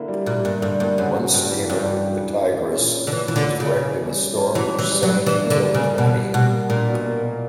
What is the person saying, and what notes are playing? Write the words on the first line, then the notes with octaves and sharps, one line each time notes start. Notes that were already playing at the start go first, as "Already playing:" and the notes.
One steamer, the "Tigris", was wrecked in a storm which sank and killed twenty.
Already playing: D3 A#3 E4
G3
A#2 G3
G2 A#3
G2 D3
G2 A#3
F#2 C#3
F#4
G2 F#4
E3
G2 F#4
F#4
F#4
E3
C#4
A#3
A#2
C#4
D3
E3 C#4
A#2 E3
D3
A#2
C#3
C#4
E3
G3
C#4
C#4
E3 F#4
G3
E3
G3
F#3
G3
E3 D4
A#3
D3
G3
C#3
A#3
B2 A#3
G3
B2 G3
A#3
A#2 D4
B2
A#3
A#3